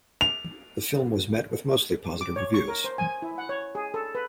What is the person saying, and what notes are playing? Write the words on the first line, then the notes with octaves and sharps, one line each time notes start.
The film was met with mostly positive reviews.
F7
D6
C#5
C#6
A#4
C5
G#5
E4
F#5
C#5
G#4
A4
B4